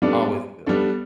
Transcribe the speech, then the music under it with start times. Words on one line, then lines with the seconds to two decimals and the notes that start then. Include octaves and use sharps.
always a good laugh.
0.02 G3 B3 D4 A4 D5
0.66 G3 B3 D4 A4 D5